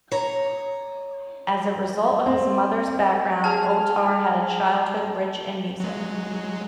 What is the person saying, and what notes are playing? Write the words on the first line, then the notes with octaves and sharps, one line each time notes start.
As a result of his mother's background Otar had a childhood rich in music.
C#5 A#5
C4
G#4 A5 F6
F#3 G#3